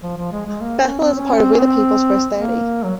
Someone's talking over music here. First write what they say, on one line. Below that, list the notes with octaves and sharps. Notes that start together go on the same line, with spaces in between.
Bethel is a part of "We The People's" "First Thirty".
F3
F3
G#3
G#3
A#3
C#4
C4
C#4
C4
C#4
C4
A#3
F#3